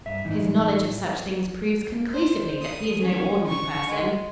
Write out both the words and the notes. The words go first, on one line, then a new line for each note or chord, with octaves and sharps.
"His knowledge of such things proves conclusively that he is no ordinary person."
G2 E5
A2 E3 D#4
C5
D#6
C#4
C#6
G#3